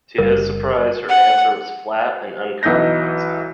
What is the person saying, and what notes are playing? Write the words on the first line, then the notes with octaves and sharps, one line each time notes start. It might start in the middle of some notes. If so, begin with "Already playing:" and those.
To his surprise, her answer was flat and uncompromising.
F#1 G3 A#4
F#5
B1 E3 D#4 D#5 G6 A#6